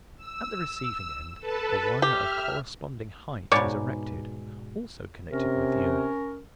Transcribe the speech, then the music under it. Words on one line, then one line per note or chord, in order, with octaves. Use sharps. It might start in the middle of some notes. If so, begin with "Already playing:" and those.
At the receiving-end a wire of corresponding height is erected, also connected with the earth.
E6
A4 B4 A5
G4 E5 F6
G#2 B2 C#5 D5
C3 C#4 A#4